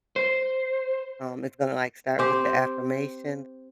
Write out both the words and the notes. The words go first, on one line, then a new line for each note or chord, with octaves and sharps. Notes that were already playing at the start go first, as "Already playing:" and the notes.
um, is gonna, like, start with the affirmations,
C5
C4 G4